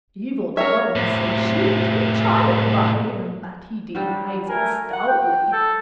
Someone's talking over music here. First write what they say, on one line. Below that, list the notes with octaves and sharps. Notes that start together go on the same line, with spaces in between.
Evil tongues say she is with child by him, but he denies it stoutly.
A#4 C#5 E5
A2 C3
F#3 G3 D4
A3 A#4 G#5
F#5
G5
A4